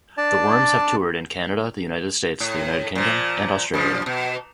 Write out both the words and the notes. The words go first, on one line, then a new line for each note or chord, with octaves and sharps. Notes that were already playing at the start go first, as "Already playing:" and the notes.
The Worms have toured in Canada, the United States, the United Kingdom, and Australia.
D4 D5 A5
A2
A#2 F3
F#2 F3
B2